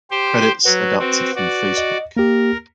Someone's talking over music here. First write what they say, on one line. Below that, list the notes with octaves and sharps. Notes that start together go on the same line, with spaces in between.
Credits adapted from Facebook.
G4 C5
F#3 F#4 B4
C4 F#4
F#4 D5
D#5
A#3 G4 A#4